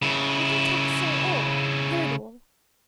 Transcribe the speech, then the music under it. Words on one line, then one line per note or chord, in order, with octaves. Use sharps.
Little Tuk saw all, heard all.
C#3 E4